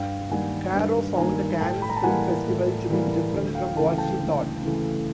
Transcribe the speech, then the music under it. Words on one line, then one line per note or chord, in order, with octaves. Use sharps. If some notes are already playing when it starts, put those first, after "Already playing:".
Caro found the Cannes Film Festival to be different from what she thought.
Already playing: G2 F5 G5
D#3 G3 A#3 F#5 G#5
G2
D#3 G3 A#3 G#5 A#5
A2 G5 A5
B5
A#5
A5
E3 G3 A#3 F#5 G#5
A2
E3 G3 A#3
D2
F5 G5
C#3 E3 A3 G5 A5
G5 A5
D2
C#3 E3 A3